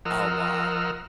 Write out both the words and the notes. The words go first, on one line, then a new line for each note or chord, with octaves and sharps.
Oh, wow.
F3 A#4 D#5 F#5 E6 F6